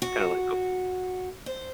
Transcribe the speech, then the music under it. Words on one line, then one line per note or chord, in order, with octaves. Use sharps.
it's kind of like oh
F#4
C5